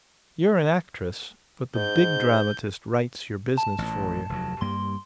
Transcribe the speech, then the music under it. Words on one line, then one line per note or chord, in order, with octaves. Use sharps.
You're an actress, but the Big Dramatist writes your business for you.
G#2 G6
A5
A1 A#2
F1 D#2 F#3
G2 G3 A#3 C6